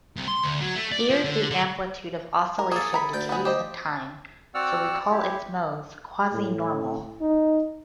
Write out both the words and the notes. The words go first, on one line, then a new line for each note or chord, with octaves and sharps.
Here the amplitude of oscillation decays in time, so we call its modes "quasi-normal".
C2
C6
D2
F#3
A3
D5
F3
D3
D3
A#4
A#3 G#4 A4
A#4 B5
D2 G5
B3 G#4
G4 C5 D#5
C4 F#4 D5 F#5 E6 F6
E4 G4
A2
D#4